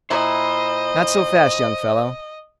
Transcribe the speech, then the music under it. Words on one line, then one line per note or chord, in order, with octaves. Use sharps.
Not so fast, young fellow.
A#2 E4 C5 D#5